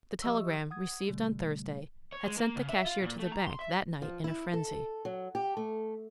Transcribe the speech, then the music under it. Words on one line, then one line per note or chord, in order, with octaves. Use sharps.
The telegram, received on Thursday, had sent the cashier to the bank that night in a frenzy.
F3 G4 D#5 E5 C#6 E6
F#5 D#6 G#6
B2 D3 G3 A3
C#5
G#3
A#3
C#3
E5
F4
A#2
A3
A#5
C6
E5
F3
E4
A4
F#3
G4
A3